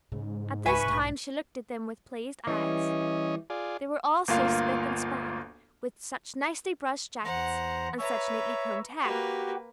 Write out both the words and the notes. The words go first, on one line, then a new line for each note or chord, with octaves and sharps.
At this time she looked at them with pleased eyes, they were all so spick and span, with such nicely-brushed jackets and such neatly-combed hair.
G#2 C#3
C#2 B4 E5 G#5 C#6
B1 A2
E3 G3 C#4 D#5
F4 G#4 D5
G1 D2 A#3 F4 F5
E2 C5 F#5 A#5
B4 C#5 E5 A#5
A#3 F#4 G4 B4